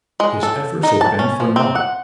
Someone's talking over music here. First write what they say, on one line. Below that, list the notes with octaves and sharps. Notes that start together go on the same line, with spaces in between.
His efforts had been for naught.
G#3
A4
D#4
A5
C#4
F3
C4
F#5